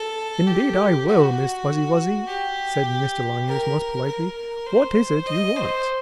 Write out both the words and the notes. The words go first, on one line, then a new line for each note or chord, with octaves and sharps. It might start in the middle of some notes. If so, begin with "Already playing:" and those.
"Indeed I will, Miss Fuzzy Wuzzy," said Mr. Longears, most politely. "What is it you want?"
Already playing: A4
G4
F#4
G4
A#4
A#4
C5
D#5
C5